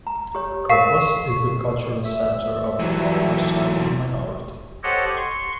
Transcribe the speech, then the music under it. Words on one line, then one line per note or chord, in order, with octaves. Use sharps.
Cottbus is the cultural centre of the Lower Sorbian minority.
A#5
G4 C#5
A#4 F5 C#6 C7
E5
E3 F#3
G4 A4 C5 C#5 D#5 F#5
C6 C#6